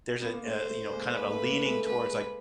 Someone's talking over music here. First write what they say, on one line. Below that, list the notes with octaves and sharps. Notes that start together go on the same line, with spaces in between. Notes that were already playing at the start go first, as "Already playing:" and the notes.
there's a a, you know, kind of a leaning towards, like
B3
A#3
A3 C5
A3
G#3 A#3
G#3 A#3 B4
A3
A#3
A3
G#3
A3
A3
G#3 A#3 B4
G#3